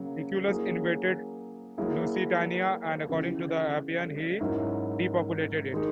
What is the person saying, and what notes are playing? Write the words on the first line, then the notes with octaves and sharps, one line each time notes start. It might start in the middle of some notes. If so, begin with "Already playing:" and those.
Lucullus invaded Lusitania and, according to Appian, he depopulated it.
Already playing: C#3 F#3 A#3
F#3 A#3 C#4 E4 G#4
F#3 A#3 E4 G#4
C#3 E3 B3 E4
G#2 F#3 C#4 E4 A#4
D#3 G#3 D#4